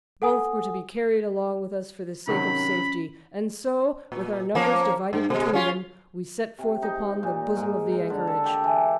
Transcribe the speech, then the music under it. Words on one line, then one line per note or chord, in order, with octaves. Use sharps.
Both were to be carried along with us for the sake of safety; and so, with our numbers divided between them, we set forth upon the bosom of the anchorage.
A4 F#5 G#5 D#6
C3 D#3 F#3 C#4 B5
A#2
F3 A#3 C#4
G2
B2 G#3
C#4 F4
C3
D#4
A#2
G#2
A#5
D3
A4
G4
E3